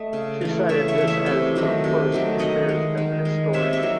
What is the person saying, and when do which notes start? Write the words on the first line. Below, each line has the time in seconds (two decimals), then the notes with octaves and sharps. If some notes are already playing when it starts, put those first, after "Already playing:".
She cited this as her first experience as a historian.
Already playing: A3 D#5
0.13 C#3
0.41 E3 A3
0.69 C#3 C#5 E5
0.88 C#5 E5
0.98 E3 A3
1.08 C#5 E5
1.26 C3
1.55 D#3 F#3 A3
1.84 C3
2.12 D#3 F#3 A3
2.39 D#3 D#5 F#5
2.69 G#3
2.97 D#3
3.25 G#3
3.53 C3 C#5 E5
3.73 C#5 E5
3.83 D#3 F#3